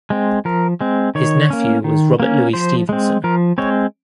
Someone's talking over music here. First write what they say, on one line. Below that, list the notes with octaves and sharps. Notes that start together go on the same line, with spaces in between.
His nephew was Robert Louis Stevenson.
G#3 C4
F3 A#4
G#3 C4
D#3 C#5
A#3 C#4
D#3
A#3 C#4
F3 C5
G#3 C4
F3 A#4
G#3 C4 C#5